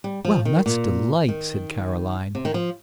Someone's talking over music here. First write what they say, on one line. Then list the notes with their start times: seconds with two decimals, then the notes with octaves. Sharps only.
"Well, that's delight," said Caroline.
0.04 G3
0.25 F3
0.45 D#3
0.66 A#2
1.28 D#3
2.35 C3
2.45 D#3
2.54 F3